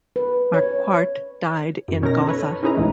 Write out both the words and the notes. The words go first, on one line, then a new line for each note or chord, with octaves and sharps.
Marquardt died in Gotha.
B4
C#5
F#2
B2 C#4 D#4 A#4 A#6
A4 B4 C#5
C#4 D#4 E4 G#4 B4 A#5
C#2 G#2 B2 E3 A3